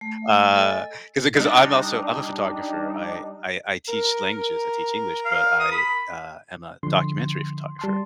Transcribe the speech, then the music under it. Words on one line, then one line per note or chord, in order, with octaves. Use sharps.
Uh, 'cause, uh, 'cause I'm also I'm a photographer, I I I teach languages, I teach English, but I, uh, am a documentary photographer,
A3
A4 D#5 G#5 E6
G3 D4 D#4
A#4
F5
D#6
B5
D3 F3 C6
G3 A5 C6